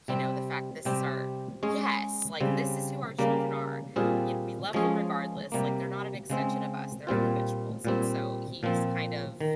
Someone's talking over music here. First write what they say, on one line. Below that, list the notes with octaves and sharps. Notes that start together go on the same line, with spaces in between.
you know, the fact this is our Yes, like, "This is who our children are, you we love them regardless, like they're not an extension of us, they're individuals," and so he's kind of
C3 G3 C4
C3 G3 C4 G4
G#3 C#4 G#4
C#3 G3 C4
C#3 G3 A#3
A#2 G3 C4 F4 G#4
F3 G#3 C#4 G#4
C3 G3 A#3
C#3 G#3 C4
A#2 G3 C4 F4
A#2 G3 C4
A#2 F3 C4
D#3